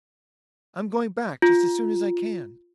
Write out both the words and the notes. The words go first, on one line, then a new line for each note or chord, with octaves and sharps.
I'm going back just as soon as I can.
F4